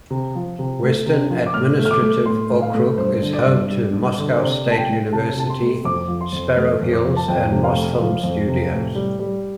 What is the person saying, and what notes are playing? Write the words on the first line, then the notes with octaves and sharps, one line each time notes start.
Western Administrative Okrug is home to Moscow State University, Sparrow Hills and Mosfilm Studios.
C3
F3
C3
A3
C3
F3
D6
A2 F6
A3
F6
D6
A3
A2 C6
A2
F5
A3
G2 C5
D3
D5
G2
G3
G2
D3
C5
C3 D5
A3
A5
G5
A3
C3 A5
C3 A5
C6
A3
F2 D6
F3
C6
F2
A3 F6
F2
D6
F3
A5
F2 G5
C3
F5
A3
F3
F2
C3
A2
G3
G3